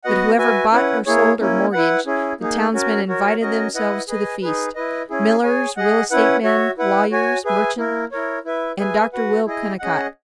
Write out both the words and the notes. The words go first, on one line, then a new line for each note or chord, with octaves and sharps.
But whoever bought or sold or mortgaged, the townsmen invited themselves to the feast--millers, real-estate men, lawyers, merchants, and Dr. Will Kennicott.
B3 F#4 B4 D#5 F#5
F#4 B4 E5 G#5
C#4 E4 B4 F#5
A#3 E4 G#4 C#5
A#3 C#4 E4
E4 B4 F#5
C#4 E4 G#4
A#3 D#4 G#4
C#4 F#4 A#4
F#4 A#4 C#5
C#4 F#4 A#4 D#5
E4 B4 D#5 F#5
G#4 B4 D#5 G#5
D#4 G#4 B4
E4 B4 D#5
C#4 E4 G#4
G#4 C#5 G#5
G#4 D#5 F#5
C#4 E4 B4 F#5
F#4 C#5 E5
E4 B4 F#5
F#4 C#5 G#5
G#4 B4 E5 G#5
A#3 E4 A#4
E4 A#4 C#5
E4 B4 E5
G#4 B4 E5 G#5
F#4 B4 F#5
E4 G#4 D#5
C#4 G#4 D#5 F#5